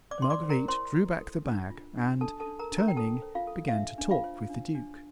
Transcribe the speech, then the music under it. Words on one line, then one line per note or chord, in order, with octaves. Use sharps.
Marguerite drew back the bag, and, turning, began to talk with the duke.
D5 D6
C5 C6
D5 D6
C5
A#4 A#5
E4 C5 C6
E4
A4
D4
F4
D4
D4 A4 A5
A4 A5
D4
A#4 A#5
D4
A#4 A#5
G5
A4 A5
C5
F4 F5
A4
F5
D4 E5
D4
F4 F5
C5
D4
D4